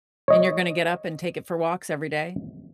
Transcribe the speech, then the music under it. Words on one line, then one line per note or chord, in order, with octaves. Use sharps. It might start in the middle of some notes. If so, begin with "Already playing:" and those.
And you're gonna get up and take it for walks every day?
C#5 D#5